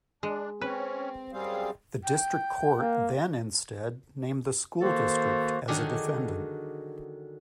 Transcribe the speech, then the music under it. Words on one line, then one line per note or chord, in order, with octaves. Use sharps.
The District Court then instead named the school district as a defendant.
G#3 D4
C4 C#4 B4
F#2 G3 C4 G#4 F5
G5
A#3
D#3 A#3 F#4 A4 C5
D3 D#3 F#3 D4 G#4